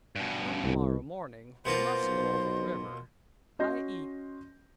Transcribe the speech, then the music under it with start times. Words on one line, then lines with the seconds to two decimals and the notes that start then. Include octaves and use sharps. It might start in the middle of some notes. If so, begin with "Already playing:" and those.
On the morrow morning we must go over the river, i.e.
0.16 G2 B2
0.64 C2
1.65 B2 A#3 F4 C5 C6
2.02 B1
3.59 C#4 F#4 D#5 C6 G6 A#6